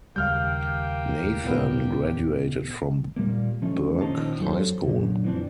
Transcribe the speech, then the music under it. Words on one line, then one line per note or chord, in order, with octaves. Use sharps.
Nathan graduated from Burch High School.
D#2 C#3 G3 A#3 G4 F5 F6 G6
A#2 B3
A#2 G3 A#3
F3 A3 C#4
A#2 D#3 C#4 D#4 C5 A5
F#2 F#3 A4 C5
F#2 A#2 D3
E3 F3 C4 D4